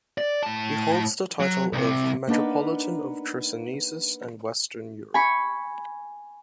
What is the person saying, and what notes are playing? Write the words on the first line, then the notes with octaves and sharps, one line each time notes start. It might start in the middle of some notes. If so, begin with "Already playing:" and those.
He holds the title of "Metropolitan of Chersonesus and Western Europe".
D5
A2 A5
F#3
C2 C3
A#3 B3 D4 D#4 B4
G#5 B5 C#6